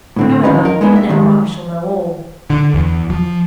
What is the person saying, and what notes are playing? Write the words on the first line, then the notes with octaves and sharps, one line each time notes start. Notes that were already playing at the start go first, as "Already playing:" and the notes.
However, in an hour I shall know all.
A2 D3 C4
F#2 D#3 F3 C#4 D#4 B4
F2 D#4 A#4
G#3 B3 D4 D#4 G#5
C2 E5
D#3 E3 G3 G#3
D3
E2
F3